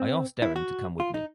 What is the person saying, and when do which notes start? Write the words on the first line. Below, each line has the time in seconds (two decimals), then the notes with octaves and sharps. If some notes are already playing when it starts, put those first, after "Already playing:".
I asked Deren to come with me.
Already playing: C4
0.42 E4
0.56 F#4
1.00 F4
1.14 D#4